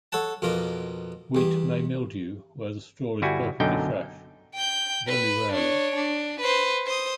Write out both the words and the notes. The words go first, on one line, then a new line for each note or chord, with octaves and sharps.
Wheat may mildew where the straw is perfectly fresh, but only rarely.
A4 C#5 F#5 A5
F2 B2 A#3 F4 A#4
E2 G3
G1 G3 E4 F#4 G#5
B1 F#2 D3 D#4 G5
G5 G6
B4 B5
D4 C#5
D4
B4 C5
C5 D#6